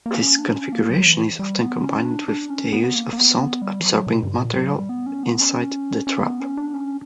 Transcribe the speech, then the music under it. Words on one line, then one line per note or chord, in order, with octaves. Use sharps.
This configuration is often combined with the use of sound-absorbing material inside the trap.
A#3
C#4
D4
C#4
A#3
F#3
E3
G3
B3
C#4
D4
D4
C#4
B3
B3
A#3
A#3
B3
B3
G3
E3
F#3
B2
G2
A#2
F#3
G3
B3
C#4
B3
C#4
C#4
A#3
B3
C#4
D4
C#4